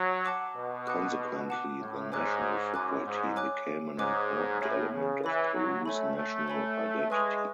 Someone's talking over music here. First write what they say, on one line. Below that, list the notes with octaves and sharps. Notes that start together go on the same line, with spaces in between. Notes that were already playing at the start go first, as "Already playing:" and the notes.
Consequently, the national football team became an important element of Peru's national identity.
Already playing: F#3
F#5 A5 D6 F#6
B2
F#5 A5 D6 F#6
F#5 A5 D6 F#6
A2
G#2 C#5 G#5 D6 F#6
F#2 C#5 G#5 D6 F#6
G#2
C#5 G#5 D6 F#6
G#2 C#5 G#5 D6 F#6
A2 C#5 G#5 B5
C#3
E3 C#5 G#5 B5
F#3
A3 C#5 G#5 B5
A3
C#5 G#5 B5
G#3 B4 E5 G#5 C#6